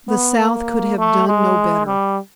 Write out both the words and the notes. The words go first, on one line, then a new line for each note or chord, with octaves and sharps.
The South could have done no better.
B3
A#3
A3
G#3
G3